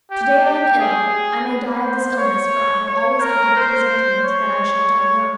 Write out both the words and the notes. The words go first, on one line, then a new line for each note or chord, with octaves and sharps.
To-day I am ill; I may die of this illness, for I have always had the presentiment that I shall die young.
G4
G4
G#4
B4
C5
C#5
C#5
A#4
C5
C#5